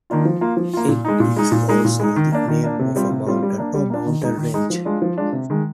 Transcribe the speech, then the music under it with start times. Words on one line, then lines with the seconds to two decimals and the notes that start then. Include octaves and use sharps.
It is also the name of a mountain or mountain range.
0.10 D#3 A#3 D4 F4
0.25 F3
0.41 A#3 F4
0.57 F3
0.73 A#3 F4
0.88 A#2
1.05 G#3 D#4
1.20 A#2
1.36 G#3 D#4
1.52 A#2
1.69 G#3 D#4
1.85 A#2
2.00 G#3 D#4
2.16 D#3
2.32 A#3 D4
2.48 D#3
2.64 A#3 D4
2.79 C3
2.96 G3 C4 F4
3.10 C3
3.27 G3 C4 F4
3.43 G3
3.58 A#3 D4
3.75 G3
3.90 A#3 D4
4.06 D#3
4.22 G#3 D#4
4.37 D#3
4.54 G#3 D#4
4.70 F3
4.85 G#3 D4 F4
5.02 F3
5.17 G#3 D4 F4
5.33 C3
5.50 D#3 G#3